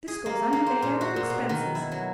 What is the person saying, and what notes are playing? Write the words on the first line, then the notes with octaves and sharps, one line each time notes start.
This goes under the head of expenses.
G#4
A#3
A#3
C5
A#2
F#4
A#2
B2
D#3
E4
F#3